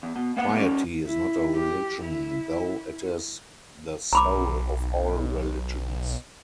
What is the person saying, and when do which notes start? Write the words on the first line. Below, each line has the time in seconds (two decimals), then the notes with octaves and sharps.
Piety is not a religion, though it is the soul of all religions.
0.03 E2
0.16 B2
0.37 A#3 B3 F#5
0.56 G3 C#4
1.06 E4
1.55 G4
2.03 E4
4.13 B1 A#5 B5 D6